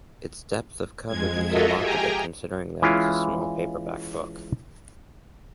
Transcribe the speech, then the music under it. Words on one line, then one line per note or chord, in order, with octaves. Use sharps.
Its depth of coverage is remarkable, considering that it is a small paperback book.
F2 G#3 G#6
F4 F#4 A4 A#4 D#5 E5
G4 G#4 G5 G#5 A#5
E3 G#3 C#4 E4 F4